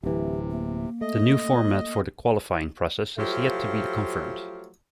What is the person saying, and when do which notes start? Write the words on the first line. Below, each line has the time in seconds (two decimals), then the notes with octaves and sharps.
The new format for the qualifying process has yet to be confirmed.
0.03 D1 C3 E3 G4
0.51 A#3
1.01 A3 D#5
3.18 F3 F#3 A3 F4 G4